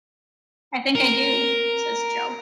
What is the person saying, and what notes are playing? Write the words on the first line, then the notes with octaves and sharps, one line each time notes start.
"I think I do," says Jo.
A#4